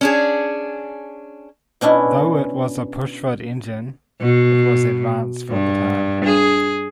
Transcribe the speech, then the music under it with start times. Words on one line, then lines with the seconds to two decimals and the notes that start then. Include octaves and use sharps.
Though it was a pushrod engine, it was advanced for the time.
0.01 C#4 D4 G#4
1.81 B2 C#4 D4 E4
4.21 B2
5.50 G2
6.25 G#4